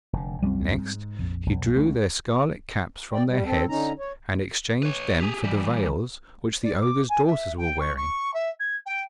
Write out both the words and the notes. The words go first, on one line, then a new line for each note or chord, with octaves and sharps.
Next he drew their scarlet caps from their heads and exchanged them for the veils which the ogre's daughters were wearing.
F1 D3
C2 F#2 F3 G3 C4
G#2
A#1 F2
B1
C#2 C#3 A3 D4
D5 G5
G3
C4 A4
D3 C#4 D#4 A#5
C#5
B4 C#5
G4 G#4
E3 G3
D5
D6
G#5
E5
G5
C#6
C#6
E5
G#6
G5